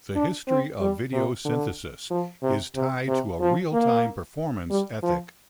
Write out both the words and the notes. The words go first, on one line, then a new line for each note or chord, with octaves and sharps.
The history of video synthesis is tied to a "real time performance" ethic.
D4
C4
G3
C3
D3
F3
C3
C3
C3
F3
A#3
G3
F3